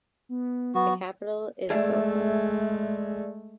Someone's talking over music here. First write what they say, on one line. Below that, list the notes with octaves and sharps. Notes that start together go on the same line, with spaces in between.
The capital is Boffa.
B3
F#3 B3 F#4
G#3 A3 G#4 D5 E5